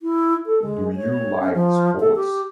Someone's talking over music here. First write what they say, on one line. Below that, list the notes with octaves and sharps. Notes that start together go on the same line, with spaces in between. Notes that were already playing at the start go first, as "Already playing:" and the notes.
Do you like sports?
E4
A4
G#3
C#5
C#4
F3
A4
G4